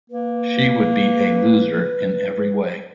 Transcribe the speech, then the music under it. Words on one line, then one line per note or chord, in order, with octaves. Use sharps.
She would be a loser in every way.
A#3 B4